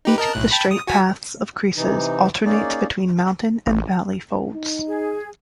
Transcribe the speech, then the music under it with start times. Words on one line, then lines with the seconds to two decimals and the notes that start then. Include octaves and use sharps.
Each of the straight paths of creases alternates between mountain and valley folds.
0.05 D#4 G4 B4
0.18 A#4 D#5 A5
0.33 B1 A2 F#6
0.51 G5 A5 B5
0.71 D#6
0.87 F#4 G#5 B6
1.76 C3 E3 D#4
2.45 A#3 C#4 D#4 G#4 D5
3.67 A1
4.54 D#4
4.87 G#4